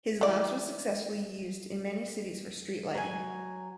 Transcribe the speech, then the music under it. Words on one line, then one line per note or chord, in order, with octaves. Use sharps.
His lamps were successfully used in many cities for street lighting.
E3 D5
F#3 G#5